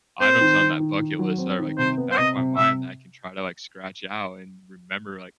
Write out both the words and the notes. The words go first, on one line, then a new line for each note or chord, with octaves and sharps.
items on that bucket list that are, like, in the back of my mind that I can try to, like, scratch it out and remember, like,
C4 C5
D#3
D#3
D#3
D#3
F#3
C4
D#3
C3 C5
B3
C5
C3 D#5
C3
C3 E5